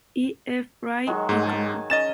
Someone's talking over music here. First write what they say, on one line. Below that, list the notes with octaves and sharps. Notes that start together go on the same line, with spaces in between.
E. F. Rye in command.
D#3 F#3 G#3
G#2
G#5 A5
C#4 D#5 A6 E7